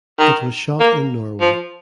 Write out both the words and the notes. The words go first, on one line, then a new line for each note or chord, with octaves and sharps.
It was shot in Norway.
D#3
A#3
F3